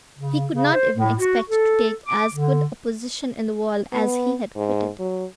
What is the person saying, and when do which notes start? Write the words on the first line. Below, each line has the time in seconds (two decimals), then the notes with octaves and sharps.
He could not even expect to take as good a position in the world as he had quitted.
0.18 C#3
0.52 C#3
0.74 C5
0.97 A2
1.19 F#4
1.49 A4
2.06 D6
2.33 D3
3.93 B3
4.56 G#2
4.99 F#3